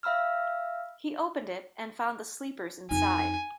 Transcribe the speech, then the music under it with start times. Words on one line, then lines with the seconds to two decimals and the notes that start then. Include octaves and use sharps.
He opened it and found the sleepers inside.
0.03 E5 F5 B5 E6 F6
2.91 F2 D#4 G#5